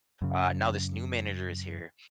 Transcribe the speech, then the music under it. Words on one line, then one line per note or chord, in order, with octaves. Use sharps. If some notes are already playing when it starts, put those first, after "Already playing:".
uh, now this new manager is here,
F#2 C#3